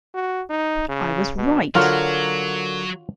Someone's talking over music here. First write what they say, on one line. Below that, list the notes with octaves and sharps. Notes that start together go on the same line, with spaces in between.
I was right!
F#4
D#4
C#3
B2
D3 F#3 F4 F#4 A#4 C#5